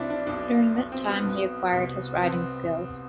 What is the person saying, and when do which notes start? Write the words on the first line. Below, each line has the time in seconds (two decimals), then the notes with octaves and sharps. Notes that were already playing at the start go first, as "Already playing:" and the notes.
During this time he acquired his writing skills.
Already playing: B1 B2 C4 D4 E4
0.10 D4
0.26 B1 B2 D4
0.75 B1 B2
0.92 C4
1.07 B3
1.25 B1 B2
1.73 C2 B2
2.18 B3
2.22 C4